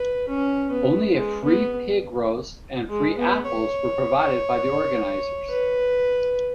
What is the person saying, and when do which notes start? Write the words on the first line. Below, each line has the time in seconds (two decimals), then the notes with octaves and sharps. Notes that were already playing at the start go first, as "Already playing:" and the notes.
Only a free pig roast and free apples were provided by the organizers.
Already playing: B4
0.28 C#4
0.72 B3
1.15 G#3
1.45 B3
2.89 G#3
3.18 B3
3.47 C#5
5.50 B4